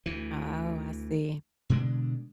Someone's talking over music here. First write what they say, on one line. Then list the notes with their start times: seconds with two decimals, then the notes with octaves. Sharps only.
Oh, I see.
0.06 D2 E3
1.70 B2 D3 G#3 D4